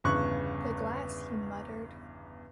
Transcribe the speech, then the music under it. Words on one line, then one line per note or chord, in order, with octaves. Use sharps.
"The glass," he muttered.
G1 E2 C#3 C#6 F#6